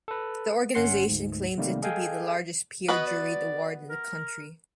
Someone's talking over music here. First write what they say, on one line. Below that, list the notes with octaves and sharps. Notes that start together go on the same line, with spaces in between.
The organization claims it to be the largest peer-juried award in the country.
A4 B4
G1 C#4 F#5 C6 C7 C#7
D2 G#2
C3 D#3 G3 A3 A#3
G#4 A4 D#5 F5 G5 G#5
B3 F#4 B4 D#5
D5
A#4